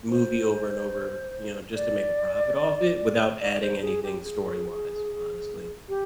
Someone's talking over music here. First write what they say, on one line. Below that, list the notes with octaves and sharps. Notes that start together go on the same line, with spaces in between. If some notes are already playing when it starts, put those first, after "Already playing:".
movie over and over, you know, just to make a profit off it without adding anything story-wise, honestly.
C5
D5
D5
D5
C5
G#4
G4
G#4
G4